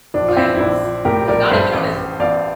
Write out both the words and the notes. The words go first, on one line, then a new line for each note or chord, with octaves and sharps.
lands, like, not even on his feet,
A#1 D4
F4
A#1 C4 E4
E4
A#1 D4
F3
A2 G4 A#4
A#1 A#4 D5
G2 C5 E5
A1
A1
A1 D5 F5